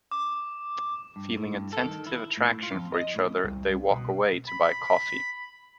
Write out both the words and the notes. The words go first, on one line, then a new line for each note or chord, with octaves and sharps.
Feeling a tentative attraction for each other, they walk away to buy coffee.
D6
G2
A2
G2
A4
D#3
E4
A2
F4
F2
D#5
A2
C2
B2
B5